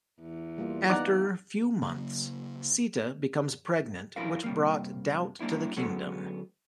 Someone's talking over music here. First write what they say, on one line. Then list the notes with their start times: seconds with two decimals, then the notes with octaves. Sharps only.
After few months, Sita becomes pregnant which brought doubt to the Kingdom.
0.20 E2
0.58 G3 A#3 F4
0.90 B3 D#4 D5 F#5 A#5
1.82 C#3 F#3 A#3
4.16 F3 E4 A#4 F5
4.44 C3 G3 A#3
5.40 G3 A#3 D4 E4
5.77 D3 F#3 G#3 A3 B3 C#4